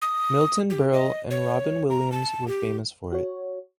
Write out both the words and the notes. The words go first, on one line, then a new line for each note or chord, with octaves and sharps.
Milton Berle and Robin Williams were famous for it.
D#6
G4
D#5
C#5
A#5
A5
G4
F#4 C#5